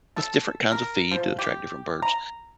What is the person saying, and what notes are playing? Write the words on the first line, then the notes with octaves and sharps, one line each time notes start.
With different kinds of feed to attract different birds
A4
A#4
F3
G4
A#5